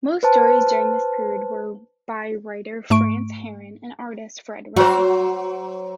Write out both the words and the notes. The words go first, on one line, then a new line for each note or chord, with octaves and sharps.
Most stories during this period were by writer France Herron and artist Fred Ray.
B4 C5 A5
G#2 A3 C#6 D7
F#3 F#4 C5